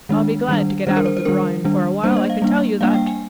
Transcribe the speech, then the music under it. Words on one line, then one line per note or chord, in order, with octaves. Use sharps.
I'll be glad to get out of the grind for a while, I can tell you that.
D#3 G#3 D4
D#3 G3 D4
D#3 G3 D4 C5
A#4
C5
C5
D#3 G3 D4 A#4
D#3 G3 D4
G3 A#3 D4 C5
D#5
F5
G3 A#3 D4
G3 A#3 D4 F5
G5
G#5